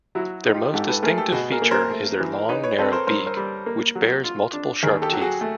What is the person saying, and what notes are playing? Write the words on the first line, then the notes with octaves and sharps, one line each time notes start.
Their most distinctive feature is their long, narrow beak, which bears multiple sharp teeth.
F#3 E4 F#4
D#4
F4 G4
G#2 G4 A4
A4 B4
A3 G#4 A#4
G4 A4
B2 F#4 G#4
G#4 A#4
A#3
A#4 C5
A3
E3
D#4 B4 C#5
B4 C#5
C4 A4 B4
A#4 C5
G2 A#4 C5
A#4 C5
G3
A#3
F#3
F4
D4
D#2 G#4 A#4
G4 A4
F#3
F#4 G#4
A3